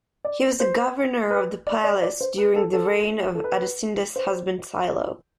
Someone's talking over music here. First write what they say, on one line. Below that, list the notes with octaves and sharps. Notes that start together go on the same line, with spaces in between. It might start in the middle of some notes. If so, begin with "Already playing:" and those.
He was the governor of the palace during the reign of Adosinda's husband Silo.
D5
C5
B4
D5
D5
D5
C5
B4
A4
A4
A4
B4
C5